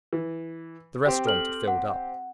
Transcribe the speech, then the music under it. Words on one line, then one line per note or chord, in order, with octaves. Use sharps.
The restaurant had filled up.
E3
C4 G4
A4 F6 F#7
F#5